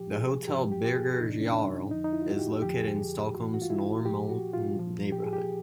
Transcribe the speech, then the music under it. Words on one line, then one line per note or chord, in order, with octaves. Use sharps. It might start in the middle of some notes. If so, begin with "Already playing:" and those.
The Hotel Birger Jarl is located in Stockholm's Norrmalm neighborhood.
Already playing: A#2 F3 G4
G#4
G#2 F3 G4
G4
G4
G#4
F2 C3 E3 D#4
D4
C#4
D4
F2 D3 F3 D#4
D#4
E4
F4
F#4
G4
F2 D3 F3 G4
G#4
G4
G2 E3 F#4
F#4
F4
E4
A#2 F3 G4
F#4
F4
A#2 F3
G4
G#4
G4